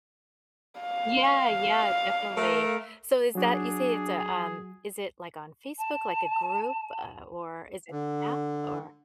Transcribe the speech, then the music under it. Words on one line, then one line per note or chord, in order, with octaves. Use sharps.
Yeah, yeah, definitely. So, is that you say it's a, um, is it, like, on Facebook, like a group? Uh, or is it an app? Or
F5
A3 A#4
F#3 D4 F#4 G#4
A5
D3